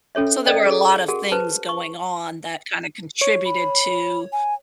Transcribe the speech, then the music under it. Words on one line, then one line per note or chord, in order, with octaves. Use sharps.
So, there were a lot of things going on that kinda contributed to
C#4 A4 C#5 E5
A4 C5 D5 D#5 G5
G#4 A4
F#4 G#4 A#4 F#5
B4 C5 A5
C#6
C#5
B5
G#5